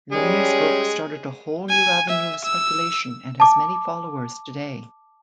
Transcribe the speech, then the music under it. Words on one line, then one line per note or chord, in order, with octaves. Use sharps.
Looney's book started a whole new avenue of speculation and has many followers today.
G3 G#3 C#4 G#4
G#5
E5
E6
A5 D6